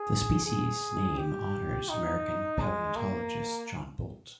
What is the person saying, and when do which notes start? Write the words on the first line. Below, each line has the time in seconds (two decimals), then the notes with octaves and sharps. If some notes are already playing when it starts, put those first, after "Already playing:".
The species name honors American paleontologist John Bolt.
Already playing: G#4
0.46 G#4
1.18 G4
1.89 D#4
2.60 G#3
2.96 A#3